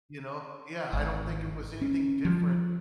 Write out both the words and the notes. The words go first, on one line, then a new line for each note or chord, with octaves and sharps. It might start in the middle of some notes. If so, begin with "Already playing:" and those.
you know? Yeah, I don't think it was anything different.
G#1
C#4
F3